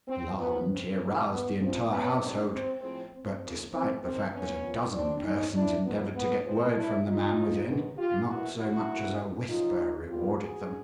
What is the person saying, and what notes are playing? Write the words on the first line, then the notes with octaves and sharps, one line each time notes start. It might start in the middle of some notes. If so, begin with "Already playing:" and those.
Alarmed, he aroused the entire household; but despite the fact that a dozen persons endeavoured to get word from the man within, not so much as a whisper rewarded them.
C4
F#2 C#3 F3 A3 B3
C4
A#2 F#3 A3
B3
G2 D3 F3 A3 C4
B3 C#4
G#2 D#3 F#3 C4 D4
C4
A2 F3 G#3 C4
C4
D#2 C#3 F3 A#3
C4
C3 D#3 G#3 C4
B3 C#4
A#2 F3 A#3
C4 D4
D#2 D#3 G3 B3 C#4 D#4
D4 E4
A2 F3 A#3 B3
B3
E2 C3 F3 G#3 C4
D4 E4
A2 E3 A3 D#4 F4
F#2 D#3 G#3 B3
F4 G4
E2 B2 F#3 A#3 E4 F#4
E4 F#4
E2 C#3 F#3 A#3
F#2 C#3 F3 D#4 F4
G#2 D#3 G3 B3 F4 G4
F#4 G#4